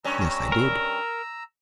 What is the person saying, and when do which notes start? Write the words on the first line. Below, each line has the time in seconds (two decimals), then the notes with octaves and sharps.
"Yes, I did."
0.04 G2 C#4 A#5 E6
0.52 A#4